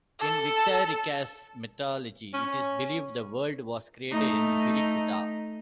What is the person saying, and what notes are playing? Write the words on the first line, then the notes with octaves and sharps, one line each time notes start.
In Wixarricas's mythology it is believed the world was created in Wirikuta.
A4
C#4
A3 D#4